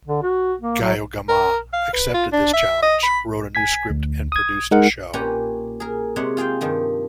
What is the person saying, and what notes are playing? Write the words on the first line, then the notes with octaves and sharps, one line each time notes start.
Geiogamah accepted this challenge, wrote a new script and produced a show.
D3
F#4
A#3
F#3
A#4
F5
B4
F4
D4
E5
D#5
B5
G#5 G#6 B6
D2
D#6 G#6
G#3 D#4 A#4 F#5
A#2 C#4 G4 B4 C#5 A#5
G#4 A#4
C3 G#3 G#4 C#5 F#5
F4 G#4 F5 G5
G2 D#3 F3